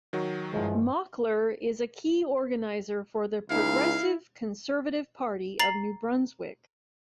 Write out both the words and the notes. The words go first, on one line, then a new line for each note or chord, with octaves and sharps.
Mockler is a key organizer for the Progressive Conservative Party of New Brunswick.
D#3 F#3 F#4
G2 E3 F3 G#3
C#2 D#4 E4 F5
A#5 A6 C7 F#7